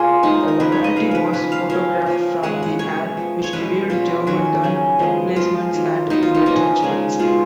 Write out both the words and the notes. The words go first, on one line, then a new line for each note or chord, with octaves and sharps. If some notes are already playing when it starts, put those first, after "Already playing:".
The locality was photographed from the air, which revealed German gun emplacements and entrenchments.
Already playing: C#3 A#3 C#4 F4 G#4
F3 G#3 B3 D#4
A#4
C#3 F3 A#3 C#4 B4
C#5
D#5
C#3 G#3 C#4 F5
A#4 B4
F3 A#3 C#4 B4
F5
F3 A#3 C#4 F5
F3 A#3 C#4
C#3 G#3 C#4 F#5
F#5
B2 G#3 C#4 C#5
F3 B3
C#5
B2 G#3 C#4 B4
B2 F#3 B3 F4
D#3 F#3 C#4 F#4
C#3 F#3 C#4
F3 G#3 B3
F3 G#3 B3 F4
D#3 F#3 A#3
D#3 F#3 B3 D#4
F4
D#4
F3 A#3 C#4 D#4
C#3 F3 G#3 C#4
B2 G#3 C#4 F4